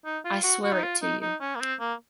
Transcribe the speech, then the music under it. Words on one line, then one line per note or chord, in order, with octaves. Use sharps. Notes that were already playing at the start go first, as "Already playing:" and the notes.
I swear it to you.
D#4
F4
F#4
F#4
D#4
F4
D#4
D#4
C#4
A#3
C4
A#3